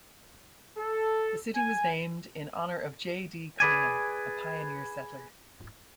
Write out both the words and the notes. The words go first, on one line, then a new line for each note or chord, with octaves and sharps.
The city was named in honor of J. D. Cunningham, a pioneer settler.
A4
G#5
G#4 B4 D5 G#5